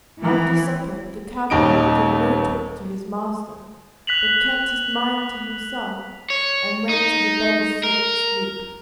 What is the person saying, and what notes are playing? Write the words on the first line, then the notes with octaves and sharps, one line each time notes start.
After supper the cowboy would give no talk to his master, but kept his mind to himself, and went to the bed of silk to sleep.
E3
D#1 D#2 D#4 D7
F#6 B6 F7 F#7
C#5
D#4
A#4